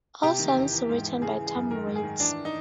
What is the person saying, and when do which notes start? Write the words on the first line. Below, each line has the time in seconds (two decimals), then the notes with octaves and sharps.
All songs written by Tom Waits.
0.23 C3 G4
0.39 D#3
0.48 G4
0.56 E2
0.73 E3
0.89 G#2
1.05 E3
1.22 C#3 G#4
1.38 E3
1.47 G#4
1.55 F#2
1.70 D#3 A#4
1.87 G#2
1.95 G#4
2.04 D#3
2.20 E3 D4
2.45 D#4